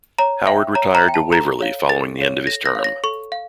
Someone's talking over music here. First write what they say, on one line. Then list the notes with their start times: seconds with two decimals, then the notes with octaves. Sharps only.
Howard retired to "Waverly" following the end of his term.
0.19 C#5 A#5
0.47 E5 G5
0.75 C#5 A#5
0.95 A#5
1.04 E5 G5
1.14 A5
1.32 A4 A#5
1.61 C#5 F5
1.89 A4 A6
2.18 C#5 F5
2.47 A4 A#6
2.66 A#6
2.75 C#5 F5
2.84 A#6
3.04 A4 C#6
3.32 F5